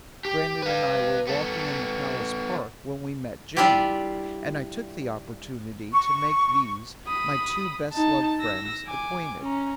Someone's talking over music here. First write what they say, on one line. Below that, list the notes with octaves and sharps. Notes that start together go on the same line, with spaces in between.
Brandon and I were walking in the palace park when we met Jane, and I took the opportunity to make these, my two best-loved friends, acquainted.
G4
B4 F5
B3 A4
G3 D4 E4 F4 G4
C#6
B5 D#6
D#4 A5
E6 A#6
G#5 D6
C#4 A#5